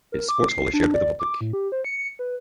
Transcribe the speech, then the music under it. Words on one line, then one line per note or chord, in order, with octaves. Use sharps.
Its sports hall is shared with the public.
A#4
D6
C7
D4
D5
D6
A2
G4
C5
C#7
B4